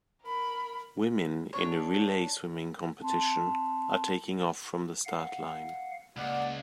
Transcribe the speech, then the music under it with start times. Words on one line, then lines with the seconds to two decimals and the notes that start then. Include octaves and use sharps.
Women in a relay swimming competition are taking off from the start line.
0.23 A#4 B5
1.53 D4 C#5
3.00 C4 A5 C6
5.05 F5 F#5
6.17 C#2 A#3 D5 F#5